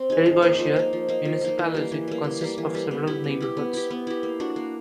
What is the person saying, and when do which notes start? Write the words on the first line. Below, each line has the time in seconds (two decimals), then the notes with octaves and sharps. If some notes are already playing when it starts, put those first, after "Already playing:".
Errigoitia municipality consists of several neighborhoods.
Already playing: C4
0.10 D#4 G#4
0.26 F3
0.42 A#3 D#4
0.59 F3
0.76 A#3 D#4
0.93 F3
1.08 A#3 D#4
1.25 F3
1.41 A#3 D#4
1.59 E3
1.74 G3 A#3
1.92 E3
2.08 G3 A#3
2.24 E3
2.41 G3 A#3
2.58 E3
2.74 G3 A#3
2.91 B3
3.07 E4 G4
3.24 B3
3.41 E4 G4
3.57 B3
3.73 E4 G4
3.90 B3
4.07 E4 G4
4.23 A#3
4.40 D4 F#4
4.56 A#3